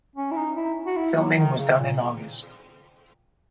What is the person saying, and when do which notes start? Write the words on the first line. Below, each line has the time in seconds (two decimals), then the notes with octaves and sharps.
Filming was done in August.
0.16 C#4
0.31 E4
0.36 D#4
0.56 E4
0.86 F#4
0.97 E4
1.17 F#3
1.37 D#3
1.58 C#3
1.78 A#2